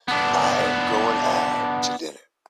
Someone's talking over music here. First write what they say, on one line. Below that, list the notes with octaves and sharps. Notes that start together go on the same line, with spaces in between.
I am going out to dinner.
B3 D4